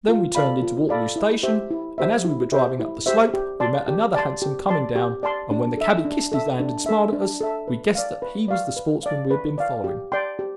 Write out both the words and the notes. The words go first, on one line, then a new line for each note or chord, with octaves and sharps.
Then we turned into Waterloo Station, and, as we were driving up the slope we met another hansom coming down; and when the cabby kissed his hand and smiled at us, we guessed that he was the sportsman we had been following.
F4
A4 D5 F5 B5
F4
A4 D5 F5 B5
E4
G4 C5 E5
E4
G4 C5 E5
E4
G4 C5 E5
E4
G4 C5 E5
G4
D5 A5 C6
G4
D5 A5 C6
G4
D5 A5 C6
G4
D5 A5 C6
D4
A4 E5
D4
A4 E5
D4
A4 E5
D4
A4 E5
B4
D5 F5
B4
D5 F5
B4
D5 F5
B4
D5 F5
G4
D5 G5 C6
G4